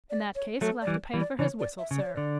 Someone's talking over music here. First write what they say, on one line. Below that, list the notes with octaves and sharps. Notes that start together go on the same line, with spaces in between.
"In that case, he'll have to pay for his whistle, sir."
D5
C#5
F#3 A3 A4
D5
E3 G3
E3 G3
D5
C#3 E3 C#5
D5
E5
C#3
D5
C#5
D3 D5